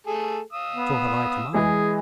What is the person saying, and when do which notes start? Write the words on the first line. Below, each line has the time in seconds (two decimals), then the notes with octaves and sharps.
"So have I to mine!"
0.07 A3 G#4 A4
0.53 F5 D#6 E6
0.77 B3
1.54 E3 G#3 G#4